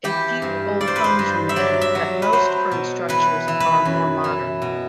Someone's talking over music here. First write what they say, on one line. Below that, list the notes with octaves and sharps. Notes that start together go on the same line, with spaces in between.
A few old homes remain, but most current structures are more modern.
E3 G4
G2
G2 D5
C5
B4
C5
G2
E5
F#3 D5
E5
F#3
B4
F#3 C5
B2
E3 B4
E3
B4
F#2
E3
B2